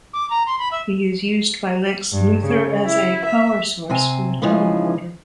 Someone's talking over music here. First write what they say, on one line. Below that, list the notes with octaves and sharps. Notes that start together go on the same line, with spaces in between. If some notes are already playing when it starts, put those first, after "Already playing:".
He is used by Lex Luthor as a power source for a teleporter.
D6
A#5
C6
B5
E5
G2
C#3
E4
E5
C3 C4 G#5
C#3 E3 F3 G#3 D#4 G#4